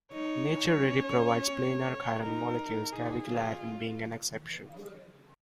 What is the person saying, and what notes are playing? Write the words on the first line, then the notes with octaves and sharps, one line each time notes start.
Nature rarely provides planar chiral molecules, cavicularin being an exception.
D#4 C#5
C#4
D#4 A#4
D#4 G#4
F4